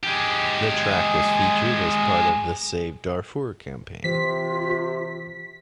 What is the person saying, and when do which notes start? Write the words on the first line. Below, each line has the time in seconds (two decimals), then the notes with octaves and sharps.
The track was featured as part of the Save Darfur Campaign.
0.03 G#3 G4
4.04 C3 E3 F4 B6